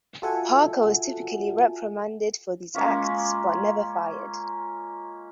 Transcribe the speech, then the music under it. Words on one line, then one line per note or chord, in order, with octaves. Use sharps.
Parker was typically reprimanded for these acts but never fired.
F4 F#4 A4 E5 F#5 G#5
G#3 A#3 C#4 F4